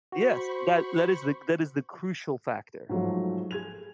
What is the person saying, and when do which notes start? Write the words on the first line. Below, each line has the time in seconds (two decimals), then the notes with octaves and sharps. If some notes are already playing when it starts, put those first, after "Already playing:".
Yes. That that is the that is the crucial factor.
0.12 F#4 C5 B5 C#6
2.89 G#2 F3 F#3 G#3 A3
3.51 G#4 G#6 F7